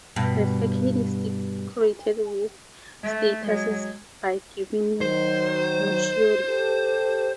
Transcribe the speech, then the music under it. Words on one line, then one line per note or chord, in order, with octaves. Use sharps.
The facade is decorated with statues by Giovanni Marchiori.
G2 B2
A3
F#3 G#3
D#3 F#3 C5
G4 A4